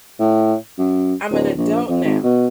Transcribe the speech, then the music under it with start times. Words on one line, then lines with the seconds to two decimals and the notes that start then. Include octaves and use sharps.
I'm an adult now
0.20 A2
0.78 F#2
1.31 D1
1.57 A#1
1.89 F2
2.04 G#1
2.23 B2